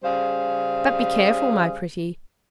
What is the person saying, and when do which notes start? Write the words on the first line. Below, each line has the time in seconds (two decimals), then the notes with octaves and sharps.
But be careful, my pretty!
0.03 C#3 G3 G#4 C5 F5